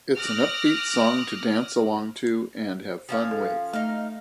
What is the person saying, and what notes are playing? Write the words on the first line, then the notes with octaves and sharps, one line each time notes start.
It’s an upbeat song to dance along to and have fun with.
D6 D#6 F6 F#6 A#6
F3 C#4 F5
A4
A3 D#4 F5